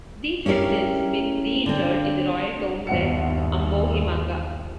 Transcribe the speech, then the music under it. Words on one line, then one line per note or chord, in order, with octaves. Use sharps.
These have since been re-interred in the royal tombs at Ambohimanga.
C#4 E4 G4 A#4
D3 C4
G1 D#2 F#5 C#7